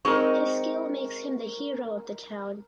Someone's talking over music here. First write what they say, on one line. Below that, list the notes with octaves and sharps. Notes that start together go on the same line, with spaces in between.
His skill makes him the hero of the town.
G#3 C4 D#4 A#4 C#6